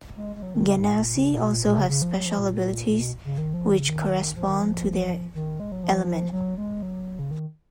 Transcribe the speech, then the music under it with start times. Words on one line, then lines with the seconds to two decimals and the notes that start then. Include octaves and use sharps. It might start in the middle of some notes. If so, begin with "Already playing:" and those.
Genasi also have special abilities which correspond to their element.
0.17 G#3
0.36 G#3
0.42 F#3
0.54 D#3
0.66 C#3
0.79 G#2
0.91 A#2
1.16 C#3
1.34 A#2
1.41 B2
1.53 A#2
1.65 A#2
1.77 C#3
1.89 C#3
2.02 F3
2.14 F#3
2.26 F3
2.39 A#2
2.88 A#2
3.00 B2
3.25 C#3
3.38 D#3
3.54 F3
3.70 D#3
3.79 C#3
3.89 D#3
4.36 F3
4.48 D#3
4.60 F3
5.35 D#3
5.60 G#3
5.72 F#3
5.83 F3
6.32 F#3
6.58 G#3
6.82 F#3
7.19 C#3
7.31 D#3